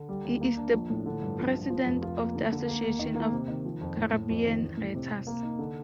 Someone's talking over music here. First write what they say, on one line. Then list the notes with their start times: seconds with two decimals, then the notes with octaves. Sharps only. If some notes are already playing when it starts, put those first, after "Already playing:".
He is the president of the Association of Caribbean Writers.
Already playing: D3
0.09 G3
0.25 D#2
0.41 A#3
0.57 D4
0.73 A#1
0.90 A2
1.06 D3
1.22 G2
1.38 A#1
1.54 F3
1.70 F3
1.86 F1
2.02 F4
2.19 A#3
2.35 D3
2.52 D3
2.68 A#3
2.83 D#2
2.99 D#3
3.16 A#3
3.32 C3
3.48 D#3
3.65 F3
3.81 F2
3.97 A2
4.13 A2
4.30 F2
4.46 D#3
4.62 A1
4.77 A2
4.95 C3
5.11 C3
5.27 A#3
5.43 D#4
5.59 D3